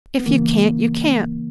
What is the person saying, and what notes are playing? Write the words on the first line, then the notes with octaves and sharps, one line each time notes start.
If you can't, you can't.
B3
D#2 C#3 E3 A#3